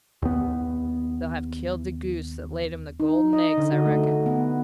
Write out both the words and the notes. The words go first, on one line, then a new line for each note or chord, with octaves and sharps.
They'll have killed the goose that laid 'em the golden eggs, I reckon.'
D#2 B3
D#4
D#5
D3
F#4
A3
B3